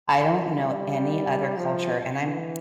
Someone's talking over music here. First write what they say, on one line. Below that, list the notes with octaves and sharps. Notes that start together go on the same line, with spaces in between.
I don't know any other culture and I'm
E3
G3
F3
E3